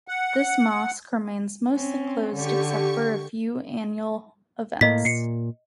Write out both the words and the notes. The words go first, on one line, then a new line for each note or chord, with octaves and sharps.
This mosque remains mostly closed except for a few annual events.
F#5
C4 C#4
D3 G4 C#6 C#7
A2 A#3 D#5 B6
A#2 C7 C#7